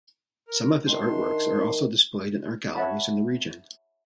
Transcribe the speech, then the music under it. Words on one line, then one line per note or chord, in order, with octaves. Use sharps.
Some of his art works are also displayed in art galleries in the region.
A#4
A2 D#3 D4 A#4 C6
C#5 E5 F#5 A5 B5